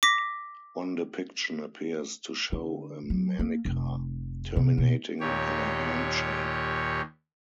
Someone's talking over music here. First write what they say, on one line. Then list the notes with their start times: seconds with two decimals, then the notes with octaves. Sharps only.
One depiction appears to show a manica terminating in a hand shape.
0.03 D6 A#6 B6
2.52 D3
3.10 F#3
3.39 A#3
3.65 F1
4.56 C3
4.78 B2
5.20 D#2 A#2 G4 C#5